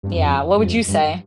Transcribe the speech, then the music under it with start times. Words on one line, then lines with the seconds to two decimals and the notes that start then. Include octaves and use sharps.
Yeah, what would you say?
0.03 G2
0.14 F2
0.57 G2
0.64 F2
0.88 G2